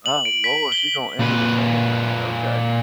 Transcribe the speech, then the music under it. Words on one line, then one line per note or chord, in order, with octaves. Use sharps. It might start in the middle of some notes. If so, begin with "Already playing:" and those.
Oh, lord, she gonna Enter the Sandman, okay.
F#7
D7
B6
G7
A#2 B4